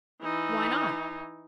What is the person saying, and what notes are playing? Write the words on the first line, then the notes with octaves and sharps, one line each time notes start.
"Why not?"
E3 D#4